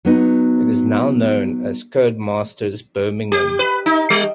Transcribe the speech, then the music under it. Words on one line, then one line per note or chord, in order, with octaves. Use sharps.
It is now known as Codemasters Birmingham.
F#3 B3 D#4
G4
B4
D#4
G3